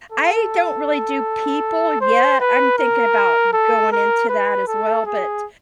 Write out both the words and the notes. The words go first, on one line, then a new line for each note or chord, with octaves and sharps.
I don't really do people yet, I'm thinking about going into that as well, but
A4
C5
B4
A#4
A4
A#4
B4
A4
G#4